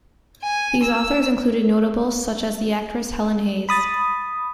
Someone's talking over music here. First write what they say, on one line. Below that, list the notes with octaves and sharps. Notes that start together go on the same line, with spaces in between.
These authors included notables such as the actress Helen Hayes.
G#5
E6
B5 D#6 A6